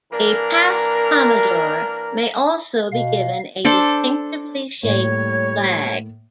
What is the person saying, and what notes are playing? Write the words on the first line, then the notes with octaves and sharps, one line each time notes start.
A past-commodore may also be given a distinctively-shaped flag.
E3 A#3 D4 A#4
B2 F5
D4 A4 C5 A5
A2 G3 A#3 C#5